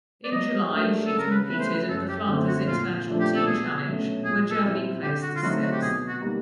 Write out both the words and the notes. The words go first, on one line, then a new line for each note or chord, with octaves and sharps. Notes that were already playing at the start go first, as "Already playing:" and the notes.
In July she competed at the Flanders International Team Challenge where Germany placed sixth.
D5
F#3 D#5
A3 D4 F#4 A#4
C#3 A4
A#4
B4
E3 A3 B4
C5
B4
F#2 A4
G4
D3 F#3 A3 C4
F#4
A#2 F4
F3 A3 D4
G4
A4
B2 G#4
F#3 A3 C#4 F#4
A#2 G#4
A4
G3 C4 E4
D3 G4
F#4
F4
F#3 A3 C4 D#4 F#4
F#4
G4
B2 G#4
F#4
G3 A#3 D#4